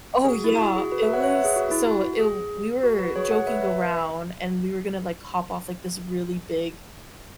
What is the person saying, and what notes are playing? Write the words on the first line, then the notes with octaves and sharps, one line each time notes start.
Oh yeah, it was so i we were joking around and we were gonna like hop off like, this really big,
G#4
F#4
E4
F#4
G#4
F#4 B4
B4 E5
C#5 F#5
C#5 F#5
B4 E5
G#4
F#4
E4
F#4
G#4
F#4
F#4 B4
G#4 C#5
C#5 F#5
B4 E5
B4 E5